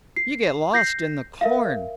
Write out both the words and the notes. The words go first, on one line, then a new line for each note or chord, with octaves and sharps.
You get lost in the corn.
C7
G6 A#6 C7
A#4 E5 F5